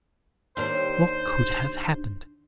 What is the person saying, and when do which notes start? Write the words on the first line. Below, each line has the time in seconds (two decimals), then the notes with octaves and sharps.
What could have happened?
0.57 D#2 D4 C5